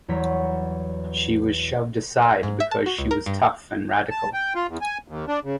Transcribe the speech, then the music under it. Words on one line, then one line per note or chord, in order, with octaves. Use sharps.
She was shoved aside because she was tough and radical.
E2 F#3 G3 C#5 A#5 B6
G#2
E5
A5
F#4
C#2
A#4
G2
A5
G5
F4
E2
G#5
D#2
D4
C#3